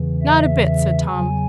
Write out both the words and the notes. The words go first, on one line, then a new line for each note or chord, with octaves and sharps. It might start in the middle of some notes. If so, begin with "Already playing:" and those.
"Not a bit," said Tom.
Already playing: E2 C#3 E3
E5
E5
E2 C#3 F#3 G#5